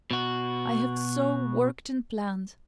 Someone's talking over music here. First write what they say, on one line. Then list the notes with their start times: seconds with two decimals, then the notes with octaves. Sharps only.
I have so worked and planned.
0.11 B2 F#4